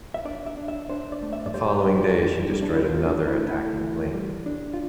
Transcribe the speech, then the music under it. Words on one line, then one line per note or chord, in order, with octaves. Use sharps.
The following day she destroyed another attacking plane.
E5
D4 D5
E5
D4
E5
D4 C5
D5
A3
E5
D5
G3 C5
B4
D4
G4
D4
G3
D4
E4
A3 F4
D4
A3
E4
A3 E4
E3
G3
D4
F4